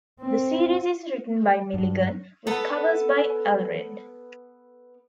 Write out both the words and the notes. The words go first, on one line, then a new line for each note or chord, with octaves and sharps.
The series is written by Milligan, with covers by Allred.
C4
G2
B3 A4